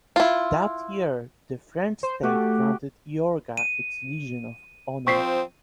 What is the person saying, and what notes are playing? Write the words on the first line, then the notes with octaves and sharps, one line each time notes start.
That year, the French state granted Iorga its Legion of Honor.
E4 F4
C5
A3 F#4 G4
D#7
F3 C4 C#6 B6 C7